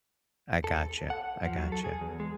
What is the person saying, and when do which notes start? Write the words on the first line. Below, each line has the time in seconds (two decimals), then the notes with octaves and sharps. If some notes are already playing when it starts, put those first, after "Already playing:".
I gotcha, I gotcha.
0.64 A4
1.10 F#5
1.45 F3
1.57 F#3
1.72 A4
1.84 G#4
2.01 E2
2.20 G#3